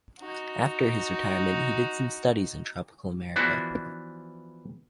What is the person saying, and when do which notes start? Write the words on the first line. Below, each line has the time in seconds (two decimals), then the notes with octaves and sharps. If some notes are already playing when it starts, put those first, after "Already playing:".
After his retirement, he did some studies in tropical America.
0.20 D#4 F#4
3.36 E3 F3 B3 D4 E4 F#4